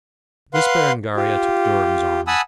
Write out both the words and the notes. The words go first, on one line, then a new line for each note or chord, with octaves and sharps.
Miss Berengaria took Durham's arm.
B4 F5 F#5 C6
F4 G4
F#5 G#5 A5 B5 D#6 E6